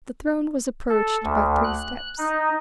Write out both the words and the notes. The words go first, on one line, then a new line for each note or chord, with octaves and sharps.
The throne was approached by three steps.
A4
D2
F#6
D#4